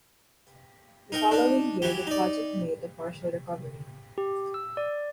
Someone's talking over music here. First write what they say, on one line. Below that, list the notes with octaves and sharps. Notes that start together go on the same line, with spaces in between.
The following year the project made a partial recovery.
D#4 A#4 G5
D4 D#4
E3 F#3 G4
D#4 D5
G4
E6
D5